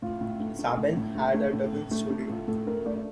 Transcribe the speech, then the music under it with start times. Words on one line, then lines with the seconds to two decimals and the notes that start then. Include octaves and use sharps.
Saban had a dubbing studio.
0.02 A2 F4
0.21 A2
0.40 A3
0.59 A3
0.78 A2
0.97 A2
1.15 A3
1.34 A3
1.54 A2
1.73 A2
1.91 A3
2.10 A3
2.29 A2 F4
2.48 A2 A4
2.67 A3 A#4
2.86 A3 D5